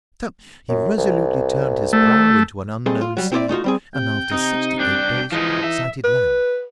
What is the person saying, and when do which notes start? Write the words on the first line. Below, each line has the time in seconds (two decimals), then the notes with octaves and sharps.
So he resolutely turned his prow into an unknown sea, and after sixty-eight days sighted land.
0.69 F#2
0.98 C2
1.93 A3
2.86 G2 C4 G#4 A4 D#5
3.01 F4
3.17 F#3 G3
3.32 C4 E4 F4 C5 D5 E5
3.49 A3 D#4 F4 F#4
3.64 G3 C4 G#4
3.94 C3 G5
4.32 C3 D#4
4.79 C2 D4 G5
5.32 E3 F3 G#3 D#4
5.64 E5
6.04 B4